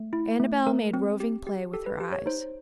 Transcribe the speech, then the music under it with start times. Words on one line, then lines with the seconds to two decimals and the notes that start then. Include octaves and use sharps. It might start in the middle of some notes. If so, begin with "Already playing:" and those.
Annabel made roving play with her eyes.
Already playing: A3
0.13 E4
0.40 A3
0.67 A3 A#4
0.93 C4
1.20 G4
1.47 G4
1.74 G4 A4
1.86 B4
2.00 G4
2.12 C#5
2.26 D#4 C5